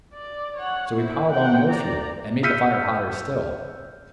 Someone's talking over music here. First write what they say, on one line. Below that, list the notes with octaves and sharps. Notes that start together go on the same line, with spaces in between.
So he piled on more fuel and made the fire hotter still.
D5
C#5 F#5
E4 C5
F#5 G5
D5 A#5
E6 F6 G6 B6 C#7 D#7